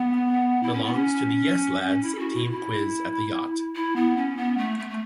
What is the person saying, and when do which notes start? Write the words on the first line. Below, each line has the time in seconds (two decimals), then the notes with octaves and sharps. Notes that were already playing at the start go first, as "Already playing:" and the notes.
Belongs to the Yes Lads team quiz at the yacht.
Already playing: B3
0.63 E4
0.74 C#4
0.84 B3
0.94 C#4
1.88 C#4
2.03 E4
2.15 A4
2.19 F#4
2.35 E4
2.44 F#4
2.51 E4
3.76 E4
3.96 B3
4.17 C#4
4.37 B3
4.58 A3
4.79 A3
4.90 A3